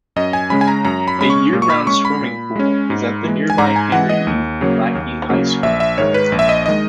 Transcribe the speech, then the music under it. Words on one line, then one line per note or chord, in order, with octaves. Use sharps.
A year-round swimming pool is at the nearby Henry E. Lackey High School.
F#2 D#5
G#5
C#3 G#3 C#4 B5
G#5
A#5
F#2 A#5
B5
C#3 G#3 C#4 B5
C#6
A#2
C#6
B5
G#3 C#4 C#6
B5
A#2
G#3 C#4
G#2
E3 G#3
G#5
G#2 A#5
G#5
E3 G#3 F#5
D#5
D#2
C#3 F#3 A#3
D#2
C#3 F#3 A#3
A#1 E5
E5
G#2 D#3 G#3 C#5
B4
A#1
E5
D#5
D#3 G#3 D#5